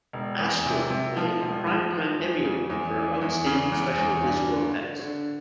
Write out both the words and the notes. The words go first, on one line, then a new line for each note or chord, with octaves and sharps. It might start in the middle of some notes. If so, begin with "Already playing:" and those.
"Asteroid" won a Primetime Emmy Award for Outstanding Special Visual Effects.
E1
E2
C3
C3
F3
E1
F3
F3
E2
C#3
E2
E3
E2
C#3
E2
E2
G2
D3
D3
D3